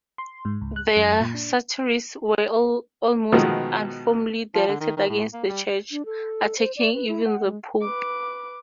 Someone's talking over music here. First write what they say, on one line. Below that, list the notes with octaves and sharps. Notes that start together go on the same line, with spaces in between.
Their satires were almost uniformly directed against the church, attacking even the pope.
C6
G#2
C#2
F#6
F#2
A#2
D4
B2 D#3 F3 G#3 A3 B3
F3
D3
D#3
D#3
A2
A#3
G3
D4
A4
C5
D5
B4
E4
F#5
G#3
B4 D6